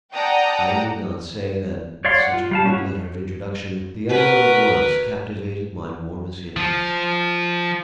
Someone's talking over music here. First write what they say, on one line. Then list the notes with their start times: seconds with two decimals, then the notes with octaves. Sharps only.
I need not say that, with such a good letter of introduction, the unknown at once captivated my warmest interest.
0.13 D5 F#5 G5 A5 A#5 D#6
2.05 C#5 D5 F5 C6
2.19 F#5
2.33 F4
2.51 G3 F5 A5
2.65 C#4 E4 F#4
4.09 F#4 A#4 B4
6.57 F3